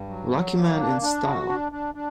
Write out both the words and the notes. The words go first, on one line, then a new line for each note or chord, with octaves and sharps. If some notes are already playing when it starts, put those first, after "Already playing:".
Luckyman in style.
Already playing: G2
F#3
F#3
A#3
D4
D4
F#4
D4
D4
D4